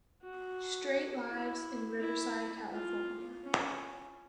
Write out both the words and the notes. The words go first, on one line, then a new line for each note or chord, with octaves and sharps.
Straight lives in Riverside, California.
F#4
E4
E4
F4
C#4